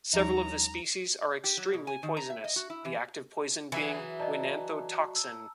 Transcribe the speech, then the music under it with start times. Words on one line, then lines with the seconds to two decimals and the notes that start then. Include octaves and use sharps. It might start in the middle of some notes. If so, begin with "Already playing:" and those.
Several of the species are extremely poisonous, the active poison being oenanthotoxin.
0.13 D#2 F3 G3 D#4 C#5 A#5
1.44 G4
1.57 F#3
1.73 B2
1.87 G#5
2.03 D#3
2.17 A#5
2.30 E5
2.44 D#5
2.56 F#4
2.70 E4
2.85 E3
3.72 E3 F#3 G#4 E5
4.20 D5 D#5 A5 A#5
5.16 E6